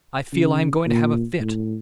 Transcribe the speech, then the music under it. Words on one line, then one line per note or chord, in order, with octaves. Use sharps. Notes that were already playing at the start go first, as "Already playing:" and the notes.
I feel I am going to have a fit.
C#3
A#2
A2